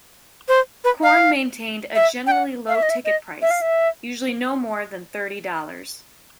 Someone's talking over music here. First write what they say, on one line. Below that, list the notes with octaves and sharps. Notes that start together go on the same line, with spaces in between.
Korn maintained a generally low ticket price, usually no more than thirty dollars.
C5
B4
F5
E5
G5
F#5
F5
E5
D#5
E5
D#5
E5
F5
E5